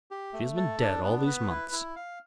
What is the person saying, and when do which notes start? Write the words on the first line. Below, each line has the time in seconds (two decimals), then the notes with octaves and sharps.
She has been dead all these months.
0.11 G4
0.33 A3
0.57 A4
0.81 D4
1.03 B3
1.26 B4
1.50 E4
1.72 E4
1.96 F5